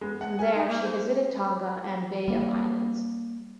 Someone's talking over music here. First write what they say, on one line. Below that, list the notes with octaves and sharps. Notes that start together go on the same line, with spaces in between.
From there she visited Tonga and Bay of Islands.
G#3 B3
F#5
A#4 G#5
D#4
A#3
C5
G3 A#3